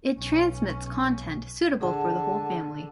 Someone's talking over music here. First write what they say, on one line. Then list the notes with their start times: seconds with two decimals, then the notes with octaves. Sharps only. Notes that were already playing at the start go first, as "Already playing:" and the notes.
It transmits content suitable for the whole family.
0.16 B1 C#4
1.81 D3 G#4 F#5 A5